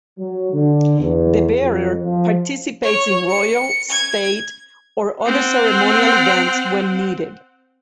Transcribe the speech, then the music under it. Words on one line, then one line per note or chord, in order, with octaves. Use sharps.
The bearer participates in royal, state, or other ceremonial events when needed.
F#3
D3
E2
F2
F3
C#5
C#7
G#6
C4 F#5